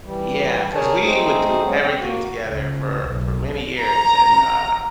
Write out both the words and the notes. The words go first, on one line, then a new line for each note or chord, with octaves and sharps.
Yeah, 'cause we would do everything together for for many years and, uh,
E3 G3
G#4 A#4 C#5 G#5 A5
A3 C4 D#4 G#4 C5
F#3 G#3 B3 C#4
C4
A#3 F#4
C#2
B1
A#5